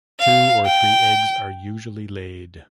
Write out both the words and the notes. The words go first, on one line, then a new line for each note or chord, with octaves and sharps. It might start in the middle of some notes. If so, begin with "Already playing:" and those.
Two or three eggs are usually laid.
F5
G5